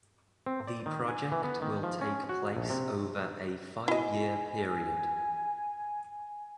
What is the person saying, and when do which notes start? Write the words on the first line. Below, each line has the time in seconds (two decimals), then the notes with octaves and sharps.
The project will take place over a five-year period.
0.46 C4
0.67 D5
0.86 D#3
1.08 G#5
1.32 E3
1.44 B3
1.62 D#3
1.83 F3
2.01 C#4
2.29 F#4
2.57 A#1
2.70 C3
3.88 E4 D#5 G#5